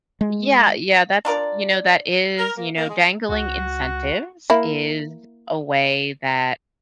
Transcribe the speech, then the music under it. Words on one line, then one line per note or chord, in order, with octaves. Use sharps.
Yeah. Yeah, that's you know, that is you know, dangling incentives is a way that
G#3
D4 F4 A#4 D5
A#4
A#3
A#3
G#3
C#2 F#4
A#3 E4